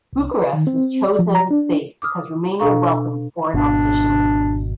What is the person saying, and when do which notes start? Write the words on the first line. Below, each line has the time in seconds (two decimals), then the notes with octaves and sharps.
Bucharest was chosen as its base because Romania welcomed foreign opposition movements.
0.13 C2
0.31 B4
0.53 D#3
0.67 C4
1.04 D5
1.19 F3
1.35 A#5
1.51 D4
2.02 D6 D#6 F6
2.60 B2 D4 A4 F5 A#5 C#6
3.54 G#1 B2 D4